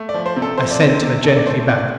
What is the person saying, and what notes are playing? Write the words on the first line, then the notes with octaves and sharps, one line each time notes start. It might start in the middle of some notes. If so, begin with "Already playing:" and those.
I sent her gently back.
Already playing: A3
D5
F3
C5
C3
A4
F3 C5
D5
C3 C5
C3
C3 A4
D5
A3 C5
C3 D5